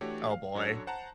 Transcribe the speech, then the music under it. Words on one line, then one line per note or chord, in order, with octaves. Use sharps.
Oh, boy.
E3 A3 D4 F#4 G4 C#5
F5
F#2 D4 F#4 A4 C#5
C5 F#5 A5 A#5